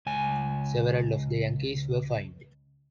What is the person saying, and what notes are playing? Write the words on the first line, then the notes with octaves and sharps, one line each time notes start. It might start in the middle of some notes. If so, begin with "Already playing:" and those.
Several of the Yankees were fined.
C#2 G#5